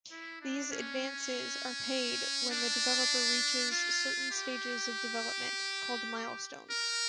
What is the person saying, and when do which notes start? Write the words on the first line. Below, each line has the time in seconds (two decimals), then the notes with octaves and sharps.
These advances are paid when the developer reaches certain stages of development, called milestones.
0.12 E4
0.41 D4
0.72 C#4
2.51 D4
3.71 F4
4.31 G4
6.71 A#4